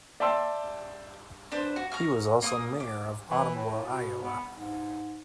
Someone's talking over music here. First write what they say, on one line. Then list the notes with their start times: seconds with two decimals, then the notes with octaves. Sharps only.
He was also mayor of Ottumwa, Iowa.
0.20 D5 E5 G5 A5 C6 E6
1.52 D4 B4 C5
1.76 F#4
1.92 A#5 C#6 F6
2.42 A#3 C6 D#6
2.80 D6
3.30 E3
3.55 A2
3.86 B2
4.23 B3
4.56 G#2